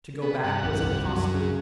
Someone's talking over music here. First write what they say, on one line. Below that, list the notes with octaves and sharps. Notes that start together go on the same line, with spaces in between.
To go back was impossible.
B3
G2 F#5
C2 F2
F#2
C#3